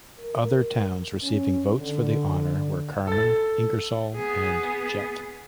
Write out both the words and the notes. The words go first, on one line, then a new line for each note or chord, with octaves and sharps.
Other towns receiving votes for the honor were Carmen, Ingersoll, and Jet.
A#4
C#4
D3
A4 A6
B3 G#4